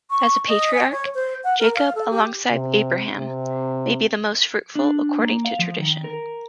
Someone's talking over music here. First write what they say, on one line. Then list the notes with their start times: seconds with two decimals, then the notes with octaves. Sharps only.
As a patriarch, Jacob, alongside Abraham, may be the most fruitful according to tradition.
0.10 C#6
0.48 D#5
0.75 G#5
0.92 C#5
1.15 C5
1.44 F#5
1.59 A#4
1.75 F5
1.95 A4
2.11 G4
2.52 C3
3.17 C3
4.75 D4
5.19 A#3
5.45 F5
5.59 F3
5.80 D#3
6.04 A#4